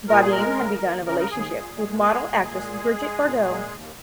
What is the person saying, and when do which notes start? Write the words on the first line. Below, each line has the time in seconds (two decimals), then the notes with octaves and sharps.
Vadim had begun a relationship with model-actress Brigitte Bardot.
0.09 A#2 A#4
0.21 G#4
0.31 G#3 A#4
0.57 C#3
0.82 D#2
1.06 C#3 A#4
1.20 A#4
1.30 D#2 G#4
1.54 A#2
1.78 G#3
2.02 G#3 G#4
2.27 A#2
2.51 G#3
2.75 G#3
2.99 G#3
3.23 A#2
3.47 G#3
3.71 D#2